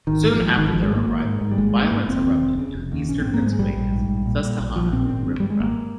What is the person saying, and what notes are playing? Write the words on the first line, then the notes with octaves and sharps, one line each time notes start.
Soon after their arrival violence erupted in eastern Pennsylvania's Susquehanna River valley.
G#1 D#3
G#2
F3
G#2
G#1 D#3
G#1 F3
G#3
G#2 A#3
G#1 A#3
G#2
G#2
G3
G#1 G#3
G#1
A#3
G#2
F1 C4
D#2
F1
C#3
F1
D#2
A#1 C#4
G#2 C4
A#3
G#2 G#3
G#3
A#1 G3
A#1
G#2
A#1
A#2
A#2
A#1
A#1 F3
A#2 C4
G#1 C4
G2
G2 G3
G#3
G#1 A#3